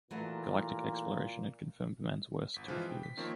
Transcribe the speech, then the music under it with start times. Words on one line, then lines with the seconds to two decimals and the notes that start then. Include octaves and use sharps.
Galactic exploration had confirmed man's worst two fears.
0.11 A#2 E3 F#3 A3
2.54 G1 B6
2.68 E3 F3 G#3 C4 F4 B4
2.90 G5
3.03 B6
3.17 D#3 F3 A#3 C4 C#5